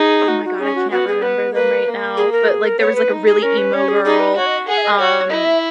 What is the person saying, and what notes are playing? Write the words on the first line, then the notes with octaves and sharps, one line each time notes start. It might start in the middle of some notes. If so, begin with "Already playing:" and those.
Oh my god, I can't remember them right now, but, like, there was like a really emo girl, um,
Already playing: D#4 G#4
F#4
F#4
C#4 G#4
F#4
B3 F#4
G#4
B3 B4
A#3 B4
A#3
G#4
A#4
G#4
A#4
B3 C#5
B4
D#4
G#4
C#4 A#4
B4
C#4 C#5
G#4
D#4 G#4
B4
F#4 C#5
D#5
G#4 F#5
E5
D#5
F#4 C#5
E4 D#5
E5